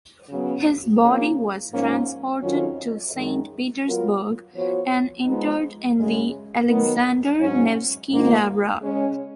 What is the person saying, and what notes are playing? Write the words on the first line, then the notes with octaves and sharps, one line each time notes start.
His body was transported to Saint Petersburg and interred in the Alexander Nevsky Lavra.
C#3 F#3 B3
C#3 F3 A#3 F4
G#2 F3 A#3 C#4
F2 D#3 F#3 C#4 F4
F#2 D#3 G#3
F#3 B3 F4 A#4
F3 B3 F#4 C#5
F3 G#3 B3 D#4
F#2 C#3 G#3
D#3 F#3 B3 D#4 A#4
G#2 F#3 C#4
G#2 D#3 A#3 F4
C#3 G#3 C#4 G#4 C#5